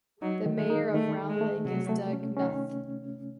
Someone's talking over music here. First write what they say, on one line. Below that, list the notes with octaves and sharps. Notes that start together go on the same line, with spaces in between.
The mayor of Round Lake is Doug Knuth.
F#3 D#4
D#3
G#3
D#4
D#3 A3
A3
G#3
A3
C3 F#3
A3
C#4
D#3 C#4